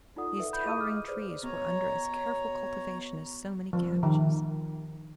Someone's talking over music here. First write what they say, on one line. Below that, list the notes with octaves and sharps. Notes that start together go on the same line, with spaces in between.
These towering trees were under as careful cultivation as so many cabbages.
D#4 F4 A4 D5 F#5 D#6
A4 B4 E5
B5 G6
E4 G#4 D#5 F5 D#6 D#7
D6 F6
G#4 B4 C5 D5
B2 C#5 A#5
F3
D#3